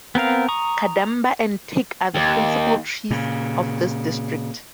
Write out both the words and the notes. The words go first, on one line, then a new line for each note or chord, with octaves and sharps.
Cadamba and teak are the principle trees of this district.
B3 C4 A#4 F5
A#5 C#6 D#6
D#2
A#2 C#3